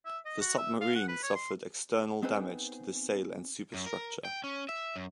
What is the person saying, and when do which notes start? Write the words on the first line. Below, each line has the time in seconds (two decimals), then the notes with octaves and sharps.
The submarine suffered external damage to the sail and superstructure.
0.06 E5
0.26 D#5
0.41 F#4
0.58 E5
0.81 F5
0.95 F#5
1.08 B4
1.23 C#5
1.35 C6
2.23 B3 C4 D#4 G#4 B4 C5
3.74 F#2
3.86 A#4
4.25 G5
4.44 C#4
4.69 E5
4.96 F#2